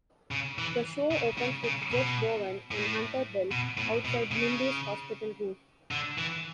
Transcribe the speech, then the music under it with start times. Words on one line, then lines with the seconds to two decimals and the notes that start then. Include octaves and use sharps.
The show opens with Jeff Bowen and Hunter Bell outside Mindy's hospital room.
0.31 C#3
0.58 E3
1.11 C#3
1.38 C#3
1.64 C#3
1.91 B2
2.71 A2
3.52 B2
3.78 A2
4.05 B2
4.31 C#3
5.91 D3
6.18 E3